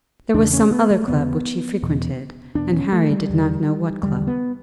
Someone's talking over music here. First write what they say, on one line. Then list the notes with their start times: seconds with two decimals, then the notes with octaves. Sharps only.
There was some other club which he frequented, and Harry did not know what club.
0.34 E2 C#3 D4
0.53 C#4
0.71 B3
0.91 A3
1.08 E2 C#3 B3
1.82 E2 B2
2.55 E2 B2 D4
2.73 C#4
2.93 A3
3.10 G3
3.29 E2 D3
4.03 E2 D3 G3
4.27 B3